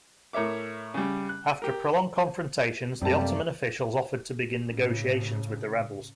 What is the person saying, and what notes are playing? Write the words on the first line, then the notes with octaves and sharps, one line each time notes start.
After prolonged confrontations the Ottoman officials offered to begin negotiations with the rebels.
A2 A#4 C#5 E5 D6
C#3 G3
F#6
G4 A#4
F#2 C3 G3 A3 A#3 D5 A5
A2 C#3